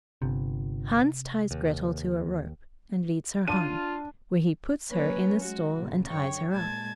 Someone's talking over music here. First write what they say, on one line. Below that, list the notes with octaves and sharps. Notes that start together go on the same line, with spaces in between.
Hans ties Grettel to a rope, and leads her home, where he puts her in a stall, and ties her up.
G1 C3
D#2
D4 F4 D#7
F#3 A#3 C#4 B4 C#5
G#3 F#4
A#2 C#3
F#2 D3 C#5 G5 C#6
A#2 G#3 A5 G#6